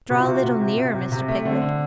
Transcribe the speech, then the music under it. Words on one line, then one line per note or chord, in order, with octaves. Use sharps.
Draw a little nearer, Mr. Pickwick.
C3 F#4
F4
C3 F#4
C3
C3
C3
C3
C3
A3
D3 C4
D3 C4